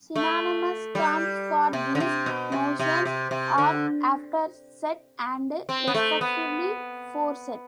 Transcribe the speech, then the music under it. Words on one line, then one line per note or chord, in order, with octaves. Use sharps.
Synonymous terms for these notions are afterset and respectively foreset.
A3
G3
C3
D3
C3
B2
C3
C3
C3
C3
D3
C4
B3
A3
B3